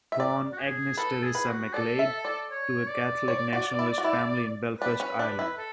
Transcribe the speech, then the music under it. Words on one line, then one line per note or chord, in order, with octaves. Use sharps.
Born Agnes Teresa McGlade to a Catholic nationalist family in Belfast, Ireland.
E5
D5
F#4
G#4
A4 B4
G#4
B4
F#4
A4 D5
E5
D5
C#5
D5
C#5
F#4
E4
F#4
E4
D4 B4
C#4
D4 B4
E4
A4